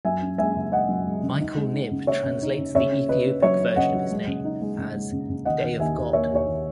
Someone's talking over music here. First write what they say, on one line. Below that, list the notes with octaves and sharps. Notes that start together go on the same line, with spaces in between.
Michael Knibb translates the Ethiopic version of his name as "Day of God".
F#2 E5 G#5
C#4
G#3 E5 G#5
C#3
G#3 D#5 F#5
F#2
G#3
C#3
D#4
G#3
D#4
C#3
C#3 C#5 E5
C#3
D#4
C#3
C#3 C#5 E5
C#4
C#3 B4 D#5
C#4
F#3 C#5 E5
C#4
C#3 D#5 F#5
F#3
G#3
C#3
D#4
G#3
C#3
G#3
C#3
C#3
D#3 D#5 F#5
D#3
D#2 E5 G#5
D#2
A#3 C#5 E5
D#2 C#5
D#2